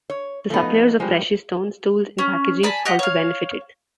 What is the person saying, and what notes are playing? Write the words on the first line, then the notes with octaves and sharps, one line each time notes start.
The suppliers of precious stones, tools and packaging also benefited.
C#5
F3 A3 B3 D#4
F3 G3 G#3
C#4
D5 G#5 A5 B5
G4 D#5 F#5
C#5 F5